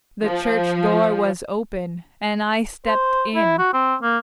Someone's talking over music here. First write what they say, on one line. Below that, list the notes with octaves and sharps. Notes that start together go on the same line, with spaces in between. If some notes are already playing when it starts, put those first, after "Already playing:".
The church-door was open and I stepped in.
F3
C5
E4
F#4
C4
A#3